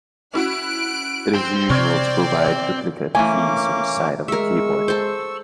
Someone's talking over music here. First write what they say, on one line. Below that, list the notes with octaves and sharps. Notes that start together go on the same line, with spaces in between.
It is usual to provide duplicate keys on each side of the keyboard.
C#4 E4 F#4 F#6 D7
C4 C5
C3 D5 C#6 F6 G#6
E3 A3 A#3 C#4 G#5 D6
G#3 A#4 E5 C#6 E6
A4 C5